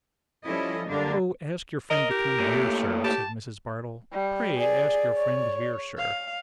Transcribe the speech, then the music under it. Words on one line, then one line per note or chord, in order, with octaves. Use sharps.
'Oh, ask your friend to come here, Sir,' said Mrs. Bardell. 'Pray ask your friend here, Sir.'
F3 G3 C#4 E4 A4 D#5
F#2 D3 G3 A#3 D4
A#4 D#5
G4
A#2 A3
G4 A5
G3
G#4 D5
C#5
F5